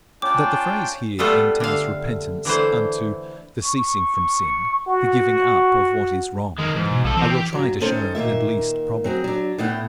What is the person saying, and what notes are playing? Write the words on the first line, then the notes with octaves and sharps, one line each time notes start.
That the phrase here intends repentance unto the ceasing from sin, the giving up of what is wrong, I will try to show at least probable.
C#4 D4 F4 G5 A#5 D6
G3 A3 B3 F4 A4
D3 F5
D3 E3 A3 C5
C#6
F#4
D#3 G#3 A#3
G#2 E3
B2
A#1 F3 A4
E3 C4 G4
G4 G5
G2 F#3
D#3 G#3 C#4 A4 C5
A#2 D#3 A#3 E5
F#3 C4 G#4
F#3 D4
A2 B3 E4 F#5 G5